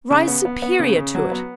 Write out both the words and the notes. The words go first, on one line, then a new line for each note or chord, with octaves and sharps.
Rise superior to it.
C#3
B3
B3
B3
C#3
C#3
F#3
B3